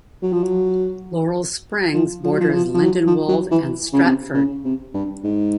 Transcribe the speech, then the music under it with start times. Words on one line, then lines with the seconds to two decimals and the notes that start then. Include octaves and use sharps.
Laurel Springs borders Lindenwold and Stratford.
0.22 F#3
0.33 F3
0.43 F#3
1.94 F3
2.24 F3
2.32 F#3
2.40 F3
2.48 E3
2.53 F3
2.74 F3
2.83 F#3
3.07 F3
3.29 F#3
3.51 E3
3.93 C#3
4.04 C3
4.34 C#3
4.65 C3
4.94 G2
5.24 G#2